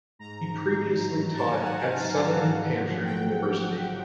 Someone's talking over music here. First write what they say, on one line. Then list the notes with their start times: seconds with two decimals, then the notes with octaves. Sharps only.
He previously taught at Southern New Hampshire University.
0.19 G#2 A#5
0.48 D#3
0.76 A1
1.04 F#3
1.33 G#2 A5
1.47 G#5
1.61 D#3 F#5
1.75 F5
1.89 A1 F#5
2.19 F#3
2.46 G#2
2.75 F3
3.04 G#1 G5
3.32 G#1
3.60 G#2
3.89 F3